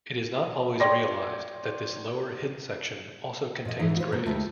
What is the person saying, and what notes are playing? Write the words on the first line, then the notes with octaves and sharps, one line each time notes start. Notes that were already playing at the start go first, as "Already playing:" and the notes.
It is not always realised that this lower, hidden section also contains graves.
C#5 D5 G5 C6 A#6
A#2 D#5
G#2 E3 D#4
F4 B4 C5
B2 A#3
D2 G#3 A3 D#4 F4 G4